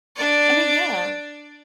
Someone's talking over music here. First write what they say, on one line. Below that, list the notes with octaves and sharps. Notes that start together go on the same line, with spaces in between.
I mean, yeah.
D4 D5